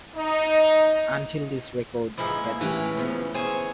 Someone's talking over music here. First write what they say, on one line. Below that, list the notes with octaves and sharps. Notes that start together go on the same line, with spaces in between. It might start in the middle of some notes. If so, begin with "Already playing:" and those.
Until this record, that is.
D#4
G#2 E3 F3 E4 G#4
A#3
A2 E3 C#4 G4
C#3 F3 B3
C4 G#4 C#5 G#5